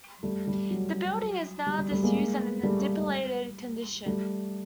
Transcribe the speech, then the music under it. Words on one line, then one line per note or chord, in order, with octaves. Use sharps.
The building is now disused and in a dilapidated condition.
G3 A3
G3
F#3
G3
G3
G3 A3
G#3 A#3
G3 A3
G3 A3